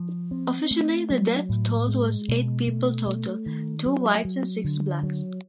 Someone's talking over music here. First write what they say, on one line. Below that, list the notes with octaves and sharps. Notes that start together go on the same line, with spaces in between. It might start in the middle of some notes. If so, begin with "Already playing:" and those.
Officially the death toll was eight people total, two whites and six blacks.
Already playing: F3
C4
A3
F#3
A2
G#3
B2
A3
A3
D#3
F#3
F#3
D3
F#3